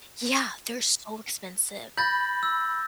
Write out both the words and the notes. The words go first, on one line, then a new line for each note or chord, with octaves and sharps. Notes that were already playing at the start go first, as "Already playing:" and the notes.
Yeah, they're so expensive.
B5 G6 A6 A#6
E6